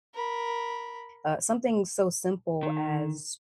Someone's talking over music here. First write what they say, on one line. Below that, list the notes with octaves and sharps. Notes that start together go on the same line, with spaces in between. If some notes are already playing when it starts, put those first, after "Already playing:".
Uh, something so simple as
A#4 B5
D#3